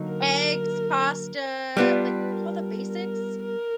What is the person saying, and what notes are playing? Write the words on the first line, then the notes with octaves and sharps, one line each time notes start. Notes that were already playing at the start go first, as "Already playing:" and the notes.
eggs, pasta, like, all the basics,
Already playing: D3 F#3 A#3 D#4
A#4
G3 B3 D4 F4 B4
A#4
A#4
A#4